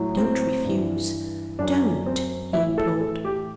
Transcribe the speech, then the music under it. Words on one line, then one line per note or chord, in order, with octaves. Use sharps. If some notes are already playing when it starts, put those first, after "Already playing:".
"Don't refuse; don't," he implored.
Already playing: A2 F#3
C4
G2 E3
F#2 F#3 D4
C4
A2 E3 E4
A4
A4
G4